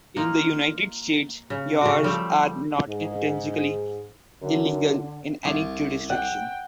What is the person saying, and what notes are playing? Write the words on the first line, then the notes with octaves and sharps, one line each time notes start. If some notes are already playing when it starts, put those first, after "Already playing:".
In the United States, yawaras are not intrinsically illegal in any jurisdiction.
A#3 D#4 F4
C#3
C#3 F#4
F3 G3 A3
G#2
F#2 D3
C2
F#5 G5